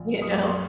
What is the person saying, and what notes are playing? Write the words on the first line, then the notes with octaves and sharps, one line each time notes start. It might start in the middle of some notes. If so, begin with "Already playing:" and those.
You know?
Already playing: A#1
F#2 D#6
D6
C6